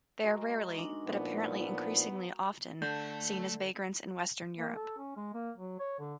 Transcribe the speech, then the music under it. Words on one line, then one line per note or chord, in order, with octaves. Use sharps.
They are rarely-but apparently increasingly often-seen as vagrants in western Europe.
G#3 F#4 A#4
D4 D#4
A#2 F3 B3
D3 A3 A5 G6
A#3
A4
C#4
G#3
A#3
F#3
C#5
D3